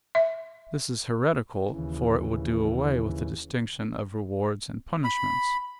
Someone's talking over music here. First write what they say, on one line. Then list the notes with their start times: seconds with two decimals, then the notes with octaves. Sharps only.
This is heretical; for it would do away with the distinction of rewards and punishments.
0.15 E5
1.70 D#2 C#3 E3
5.04 B5